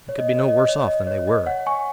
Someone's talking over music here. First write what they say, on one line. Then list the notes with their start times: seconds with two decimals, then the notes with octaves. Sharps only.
They could be no worse off than they were.
0.09 C#5
0.19 D#5
0.29 D#5
0.38 C#5
0.48 D#5
0.58 D#5
0.68 C#5
0.88 D#5
1.07 C#5
1.27 D#5
1.46 C#5 F#5
1.66 G#5 C#6